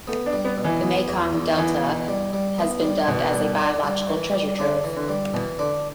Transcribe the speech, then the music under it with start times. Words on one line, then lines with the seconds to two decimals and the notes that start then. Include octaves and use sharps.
The Mekong Delta has been dubbed as a "biological treasure trove".
0.07 A3 B3
0.26 D4
0.33 G3
0.45 B3
0.58 B2
0.64 E3
0.83 B3
1.08 E2
1.33 E2
1.58 E3 B3
1.83 B2
2.08 G3
2.33 G3
2.58 B3
2.83 G3
3.08 B2 E3
3.33 G3
3.58 D4
3.83 G3
4.09 E3
4.33 G3
4.59 D3 D4
4.84 E3
4.96 D3
5.09 G3
5.34 B2 E3
5.59 D3 D4